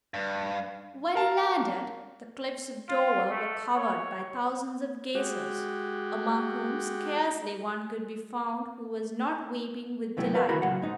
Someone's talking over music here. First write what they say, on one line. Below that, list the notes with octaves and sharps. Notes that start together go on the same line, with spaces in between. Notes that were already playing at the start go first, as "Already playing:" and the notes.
When he landed, the cliffs of Dover were covered by thousands of gazers, among whom scarcely one could be found who was not weeping with delight.
G2
A#4 F5 A5
F4
A3
C#5
G#3 F#4 G4
E2 C3 F#3 A3 E4 G5
A#4 B4 F5 F#5
D#3 E4 F#4 A#4 A#5 B5
A#2 C#3 F#3 F#5
G#2 D#4